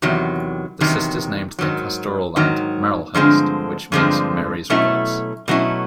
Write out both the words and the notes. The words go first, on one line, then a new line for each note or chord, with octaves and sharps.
The Sisters named the pastoral land Marylhurst, which means "Mary's Woods".
E2 C3 D#3 F#3
E2 C3 D#3 F#3
G#2 D#3 F#3
G#2 D#3 F#3
G2 D3 F3 G#3 C4
G2 D3 F3 G#3 C4
B2 F#3 A3 C#4 E4
B2 F#3 A3 C#4 E4